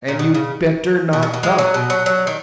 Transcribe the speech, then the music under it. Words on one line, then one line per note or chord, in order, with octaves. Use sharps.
And you'd better not talk.
A#2
B2
C#3
B2
A#2
B2
G#3
F#3
B2
F#3
F#3
D#3